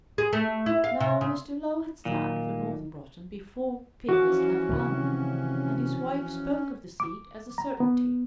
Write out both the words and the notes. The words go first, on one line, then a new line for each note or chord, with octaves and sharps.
Now Mr. Low had sat for North Broughton before Phineas left London, and his wife spoke of the seat as a certainty.
G#4
A3
E4
F5
C3
C#3
A#2 D#3 F#3 D#4
E3 F3 C#4 F#4 D6
C3 D#3 A3
D6
A#5
B3